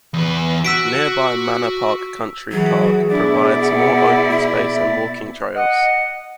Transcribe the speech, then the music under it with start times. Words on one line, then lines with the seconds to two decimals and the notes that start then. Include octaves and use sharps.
Nearby Manor Park Country Park provides more open space and walking trails.
0.14 E2 B4
0.65 F#4 E6 B6 D7
2.51 E3 F#3 F#4 G#4
3.10 B2 D4 E4 D5
3.61 F#5
4.30 E5
5.56 D#5 F#5